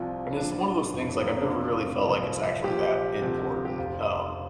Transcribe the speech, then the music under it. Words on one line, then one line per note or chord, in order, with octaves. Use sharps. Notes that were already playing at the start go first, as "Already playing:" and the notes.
And it's one of those things, like, I've never really felt like it's actually that important, um,
Already playing: C2 C3 F3 F4
A#1 A#2 F3 D4
F1 F2 C3 F3
A#3
C4
D4
F1 F2 C3 F3 F4
C2 A#2 F3
A#1 A#2 F3 G4
D2 C3 F3
G4
F1 F2 F3 F4